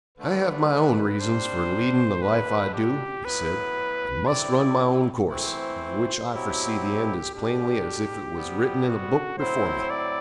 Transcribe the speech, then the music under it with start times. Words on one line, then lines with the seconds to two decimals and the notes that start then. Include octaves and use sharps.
'I have my own reasons for leading the life I do,' he said, 'and must run my own course, of which I foresee the end as plainly as if it was written in a book before me.
0.18 D3 A3 D4 B4
1.20 C3 G3 D4 C5
2.22 D3 G3 D4 B4
2.73 G4
3.24 A2 F#3 B3 E4 B4
4.27 C3 G3 C4 E4 D5
5.29 E3 A3 C4 E4 C5
6.31 B2 F#3 C4 E4 G4
7.34 B2 G3 D4 G4
8.36 C3 G3 B3
8.87 F#4
9.38 A2 F#3 C4 E4 C5
9.90 D5